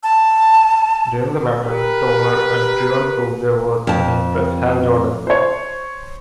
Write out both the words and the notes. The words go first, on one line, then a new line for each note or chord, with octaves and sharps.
During the battle Tomar and Kreon proved their worth and impressed Hal Jordan.
A5
G4 A#4 B4
F2 A5
C5 C#5